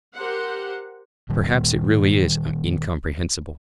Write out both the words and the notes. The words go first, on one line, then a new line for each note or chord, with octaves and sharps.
Perhaps it really is incomprehensible.
G4 A#4 C5 F#5
A#2 D#3 G3